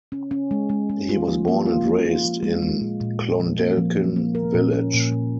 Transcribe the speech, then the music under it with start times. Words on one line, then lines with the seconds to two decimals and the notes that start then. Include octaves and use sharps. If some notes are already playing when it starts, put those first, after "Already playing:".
He was born and raised in Clondalkin Village.
0.12 C#4
0.31 C#4
0.51 G#3
0.69 G#3
0.90 G#3
1.09 F4
1.28 F3
1.48 A#3
1.66 F4
1.85 A#3
2.05 F4
2.24 F3
2.43 G#3
2.62 G#3
2.81 A#2
3.00 A#2
3.21 A#2
3.40 F3
3.59 A#3
3.77 F3
3.97 F3
4.16 A#3
4.35 A#4
4.54 A#2
4.73 C#4
4.93 A#2
5.12 A#2